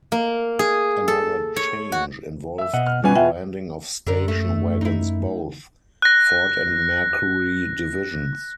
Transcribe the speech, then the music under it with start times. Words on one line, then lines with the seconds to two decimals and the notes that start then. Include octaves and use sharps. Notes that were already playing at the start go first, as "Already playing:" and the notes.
Another change involved the branding of station wagons both Ford and Mercury divisions.
0.12 A#3
0.59 G#4
1.08 A4
1.56 C#5
1.92 F#4
2.58 E5 E6
2.73 B2 D#5 F#5
2.87 F6
3.04 B2 G3 C#4 F4 B4 G#5
3.15 F4 E5 F#5 G5
4.07 F#2 D3 A#4
4.28 A3
4.81 D#4 E4
6.02 F#6 A#6